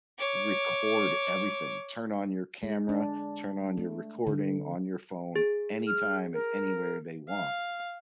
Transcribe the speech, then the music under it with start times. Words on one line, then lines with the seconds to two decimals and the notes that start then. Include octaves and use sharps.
record everything, turn on your camera, turn on your recording on your phone anytime, and anywhere they want.
0.18 C#5 D6
2.63 G#3
2.89 D4
3.78 A3
4.27 D3
5.36 G#4
5.87 F6
6.33 A#4
7.30 F5